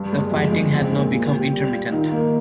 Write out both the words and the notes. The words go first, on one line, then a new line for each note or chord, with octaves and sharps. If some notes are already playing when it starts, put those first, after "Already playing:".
The fighting had now become intermittent.
Already playing: G2
G#3
F2
G#3
C4
A#2
A#2
G4
G3
F4
D#3
A#3